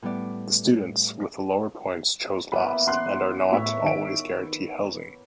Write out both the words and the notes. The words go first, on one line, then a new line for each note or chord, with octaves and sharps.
The students with the lower points choose last and are not always guaranteed housing.
A2 G3 B3 D5
E3 A#3 B3 B5
F#5 C6 F#6
A2 C#5 E5
D#3 D7